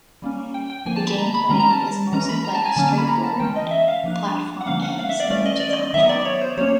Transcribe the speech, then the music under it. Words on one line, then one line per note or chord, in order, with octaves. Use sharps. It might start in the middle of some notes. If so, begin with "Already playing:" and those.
The gameplay is mostly like a straightforward platform game, similar to "Contra".
G3 A#3 C#4
G5
G5
D3 F3 A#3 G#5
A5
B5
A#5
B5
D#3 G#3 C#4 A#5
A#5
A5
E3 G#3 C#4 A#5
B5
A#5
A5
G#5
D3 F#3 A#3 C#4 G#5
A5
B5
A#5
A5
E3 G#3 C#4 G5
D#5
E5
F5
F3 A#3 D4
F#5
D3 F3 A#3 C#4 F5
F#5
F5
E5
D5
E3 A3 C#4 D5
D#5
D5
D#5
D#3 F#3 B3 E5
D5
C#5
C5
F#3 A#3 C#4 C#5